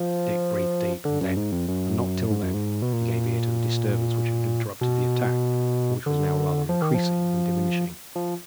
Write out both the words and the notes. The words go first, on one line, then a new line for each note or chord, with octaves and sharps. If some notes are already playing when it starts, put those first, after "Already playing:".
Dick breathed deep, and then, and not till then, he gave ear to the disturbance which had interrupted the attack, and which was now rather increasing than diminishing.
Already playing: F3
D3
F#2
G#2
F2
F#2
G#2
F#2
G#2
B2
A#2
B2
D3
F3
D#3
F3
F3